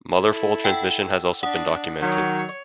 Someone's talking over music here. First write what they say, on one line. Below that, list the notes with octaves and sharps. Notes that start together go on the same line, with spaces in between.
Mother-foal transmission has also been documented.
E4 A4
F#5 G5 E6
D4 F#5 D#6
D#3 F#3 C#5